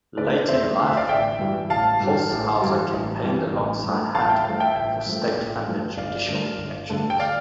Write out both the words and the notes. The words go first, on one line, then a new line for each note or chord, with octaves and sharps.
Late in life, Holshouser campaigned alongside Hunt for state-funded judicial elections.
D3 A3 B4 D5
F2 C5 E5
D3 A3 F5
E5
D5 F5
A1 E5 G5
G2 E3 G3
A1 F5 A5
G2 E3 G3
A1
G2 E3 G3
A1
G2 E3 G3
A1
G2 F3 A3
A1 F5 A5
F5
E5 G5
G2 F3 A3 F5 A5
E5 G5
A1 E5 G5
G2 F3 A3
A1
G2 F3 A3
G1 D5 F5
G2 D3 A3
G1
G2 D3 A3
G5
D5 F5